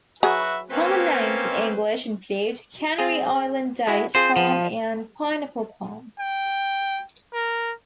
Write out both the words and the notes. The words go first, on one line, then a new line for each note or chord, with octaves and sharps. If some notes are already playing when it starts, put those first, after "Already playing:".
Common names in English include Canary Island date palm and pineapple palm.
F#3 F#4 G#4 B4 E5
A#3 C4 C#4 B4 C5
C4 G#4
G#3 E4 F#4
C4 F4 G#4 C5
F3
G5
A#4